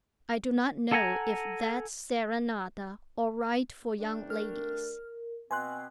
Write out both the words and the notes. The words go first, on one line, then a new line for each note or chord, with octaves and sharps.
I do not know if that SERENATA all right for young ladies.
A4 F#5 G#5 A#5
G3 A3 D4
A#4 F6
B2 C4 G#5 C6 F#6